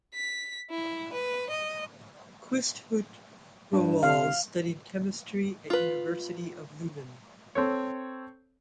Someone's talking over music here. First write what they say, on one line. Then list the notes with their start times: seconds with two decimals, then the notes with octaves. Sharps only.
Quisthoudt-Rowohl studied Chemistry at University of Leuven.
0.14 B6
0.70 E4
1.13 B4
1.50 D#5
3.73 G2
4.03 C3 F5
5.70 F4 B4
7.55 C4 A4 C#5